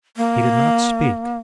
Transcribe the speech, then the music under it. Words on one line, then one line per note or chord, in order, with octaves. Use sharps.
He did not speak.
A#3